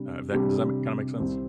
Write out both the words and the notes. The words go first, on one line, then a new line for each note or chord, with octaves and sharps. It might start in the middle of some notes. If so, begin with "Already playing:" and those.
Uh, if that does that ma kinda make sense?
Already playing: C3 G3 D4
C3 G3 D4 G4
C2 C3 G3 C4